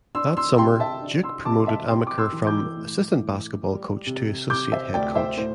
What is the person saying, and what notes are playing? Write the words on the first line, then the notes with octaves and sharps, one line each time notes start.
That summer, Duke promoted Amaker from assistant basketball coach to associate head coach.
D4 C6 E6
C6 E6
C3 G5 C6
E5 A5
D4
C6 E6
C3 A5 D6
C6
E5 A5
C3 G5 C6
D6
C6 E6
E3
D6 G6
A2
A2
G3
C3
C3 D6 G6
C5 E5
D2 D5 G5
C5 E5
A2 C5